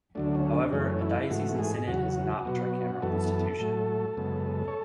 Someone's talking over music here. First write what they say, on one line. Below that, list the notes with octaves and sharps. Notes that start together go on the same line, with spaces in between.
However, a Diocesan Synod is not a tricameral institution.
D2 D3 F#3 A3 D4
C#4
D4
F#2 E3 A3 C#4
E4
G#2 E3 A3 F#4
G#4
E2 C#3 F#3 F#4
B2 F#3 B3
F#2 E3 B3 A4
A2 F#3 A3
F#2 C#3 G#3 B3
C#5